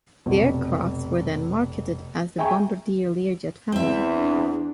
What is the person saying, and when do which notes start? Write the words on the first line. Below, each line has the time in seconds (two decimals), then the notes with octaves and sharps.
The aircraft were then marketed as the "Bombardier Learjet Family".
0.26 F1 B1
2.38 G#4 E5 G5 G#5 A#5 C#6
3.72 E2 C4 E5
4.14 D4